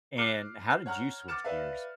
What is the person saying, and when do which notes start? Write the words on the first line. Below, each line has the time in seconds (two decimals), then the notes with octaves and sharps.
and how did you switch gears?
0.17 D6 F6 F#6 C7
0.86 C#5 F#5 A#5 F6
1.28 D6 F6 A6 C#7 E7
1.44 B4 D5 E5 F5